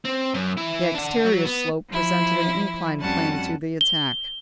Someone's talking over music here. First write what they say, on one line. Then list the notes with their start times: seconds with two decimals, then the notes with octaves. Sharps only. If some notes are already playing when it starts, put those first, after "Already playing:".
The exterior slope presented an inclined plane to the attack.
0.05 C4
0.34 F#2
0.57 E3 E4
0.95 D4 F#5
1.25 F#3 F#4
1.45 B3
1.89 F3 E4
2.99 F2 G3 C#4 F#4 F#5 A5
3.81 G7